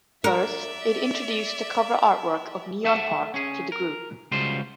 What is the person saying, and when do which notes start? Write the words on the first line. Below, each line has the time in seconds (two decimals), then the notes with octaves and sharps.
First, it introduced the cover artwork of Neon Park to the group.
0.24 A#4 D5 E5
2.84 A4 E5 F#5 A5
3.34 C#4 G#4
3.72 A#4
4.31 C#2 C#3 G3 F4 F#4 C5